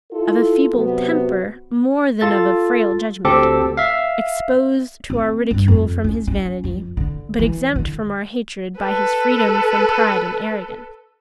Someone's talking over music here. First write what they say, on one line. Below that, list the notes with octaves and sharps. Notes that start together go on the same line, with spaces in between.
Of a feeble temper, more than of a frail judgment; exposed to our ridicule from his vanity; but exempt from our hatred by his freedom from pride and arrogance.
E4 F4 A4
C3 F#3 B3 F#4
F4 A4 A6
D2 C4 G4 A4 D6
E5 F5
C4
G2
F2
C#4
C#4
F2
D3
E3
D3
A4 B4